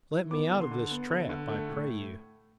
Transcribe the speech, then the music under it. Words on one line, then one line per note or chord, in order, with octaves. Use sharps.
Let me out of this trap, I pray you.
E3
B3 D6
D3
C6
D3
B3
D3
D3
A3
A2